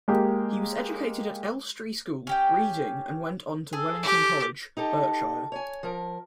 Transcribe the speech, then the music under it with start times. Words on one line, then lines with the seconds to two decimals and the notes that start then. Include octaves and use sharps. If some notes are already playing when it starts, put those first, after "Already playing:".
He was educated at Elstree School, Reading and went on to Wellington College, Berkshire.
0.08 G#3 A#3 G4
2.27 C#4 G4 G5
3.73 G#4 A4
4.03 G4
4.77 D#4 G4 A4
5.52 C#5 G#5
5.83 F3 A#4